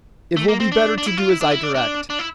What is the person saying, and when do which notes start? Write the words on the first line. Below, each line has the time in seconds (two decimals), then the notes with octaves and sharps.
It will be better to do as I direct.
0.37 A3
0.48 A#3
0.60 C4
0.72 D4
0.98 D4
1.06 E4
1.17 F4
1.29 E4
1.41 D4
1.51 E4
1.63 D4
1.75 D4
2.10 D4
2.19 E4